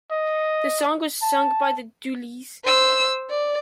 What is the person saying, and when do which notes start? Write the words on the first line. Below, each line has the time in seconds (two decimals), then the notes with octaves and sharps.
The song was sung by The Dooleys.
0.11 D#5
1.22 A5
2.64 C5 E6
3.30 D5